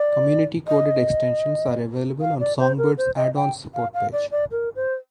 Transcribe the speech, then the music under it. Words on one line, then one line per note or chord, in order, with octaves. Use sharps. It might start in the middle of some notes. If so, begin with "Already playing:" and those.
Community coded extensions are available on Songbird's addons support page.
Already playing: D5
D#5
F5
D5
C5
A#4
C5
D#5
G5
F5
F5
D5
D5
A#4
C5